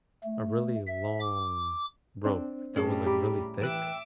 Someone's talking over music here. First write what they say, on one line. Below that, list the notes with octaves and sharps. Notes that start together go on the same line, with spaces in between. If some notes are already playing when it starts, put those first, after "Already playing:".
a really long rope that was, like, really thick,
A3
E5
D6
C4 D4 C5
A2 G3 C#4 G#4 A5
G4 A#5 B5 D6
E3 B4 E5 G5 D6 E6 F#6